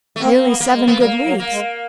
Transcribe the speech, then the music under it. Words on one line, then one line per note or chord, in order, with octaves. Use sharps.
"Nearly seven good leagues."
A3
A#3 C4
C4
B3
A#3
G#3
B3
G3 A#3
F#3
A#3
G#3